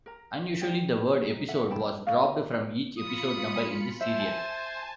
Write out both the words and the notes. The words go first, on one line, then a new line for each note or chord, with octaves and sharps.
Unusually, the word "episode" was dropped from each episode number in this serial.
A#4 A#5
A#4 C5 D5 G5
D#4
A4 E5 F#5
E4 G5 A5 B5
C#4 D#4 D5 F5
F4 B5 D#6 C#7
G#5
C5 E5 G#5 A5